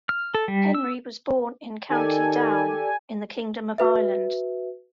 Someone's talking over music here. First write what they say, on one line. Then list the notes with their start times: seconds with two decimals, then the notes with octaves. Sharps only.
Henry was born in County Down in the Kingdom of Ireland.
0.09 F6
0.34 A4
0.48 G3
0.75 E6
1.90 D#3 G4 A4 D5 G#5
3.78 F#4 B4 E5